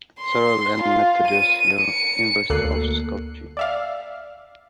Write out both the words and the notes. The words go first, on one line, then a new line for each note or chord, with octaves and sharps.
Cyril and Methodius University of Skopje.
C6
F4
D#7
C#7
D2 A#3 A4 F#6 C7
D5 E5 F5